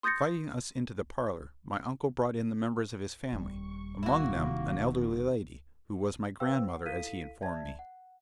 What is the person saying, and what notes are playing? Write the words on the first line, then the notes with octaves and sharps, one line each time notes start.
Inviting us into the parlor, my uncle brought in the members of his family, among them an elderly lady, who was my grandmother, as he informed me.
C6 D#6 G6 A6 A#6 C#7
D#1 G3 C#6
C3 D#3 A#3 E4 F#4
B4 C5 F5 G5 E6
F#5
E4 A4 F5 B6 D#7
D5 E5 A5 G#6
F#5